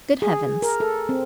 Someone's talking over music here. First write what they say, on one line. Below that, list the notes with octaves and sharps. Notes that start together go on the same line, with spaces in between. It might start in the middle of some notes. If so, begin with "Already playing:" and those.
Good heavens!
G#4
A#4
A4
C4